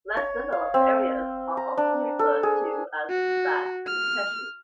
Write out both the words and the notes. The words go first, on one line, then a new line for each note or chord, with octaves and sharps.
Less developed areas are often referred to as "back concessions".
C#5
F5
C4
A#5
D4
A4
G#4
F#4
F6